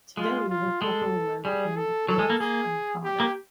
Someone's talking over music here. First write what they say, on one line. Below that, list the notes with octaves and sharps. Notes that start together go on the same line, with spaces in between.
Today, the couple live in Roath in Cardiff.
G#3 F4
F4
G#3 A4
G3 G#4
A4
F#3 A4
G#3
A#3
A#3 G#4
G4
A#3